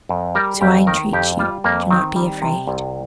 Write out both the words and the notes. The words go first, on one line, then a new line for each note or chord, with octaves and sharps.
So I entreat you do not be afraid.
F2
G3 A#4
F2 G4
D#3 A#4
F2 G4
G3 F4
F2 A#3
D#3 C4
G3
C3
C2